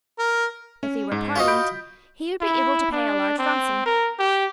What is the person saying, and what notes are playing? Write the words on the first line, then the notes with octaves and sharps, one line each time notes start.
If he were pardoned, he would be able to pay a large ransom.
A#4
C#4
G#2
F4 F#4 D#5
B5 G6 D7
E4
D4
C4
A#4
G4